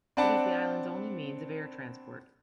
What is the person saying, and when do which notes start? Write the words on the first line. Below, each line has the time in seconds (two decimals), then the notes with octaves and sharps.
It is the island's only means of air transport.
0.17 C4 D4 D5 F#5 A5 B5